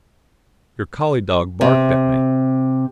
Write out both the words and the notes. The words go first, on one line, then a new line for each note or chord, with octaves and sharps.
Your collie dog barked at me.
C3